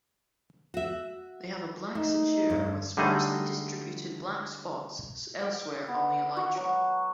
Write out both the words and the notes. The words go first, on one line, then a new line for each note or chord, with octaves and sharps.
They have a black suture with sparsely distributed black spots elsewhere on the elytra.
F#4 E5
A3 D#4
G2
D3 G3 A3 D#4 G#4 D#5
G5
B3
F#4
F#3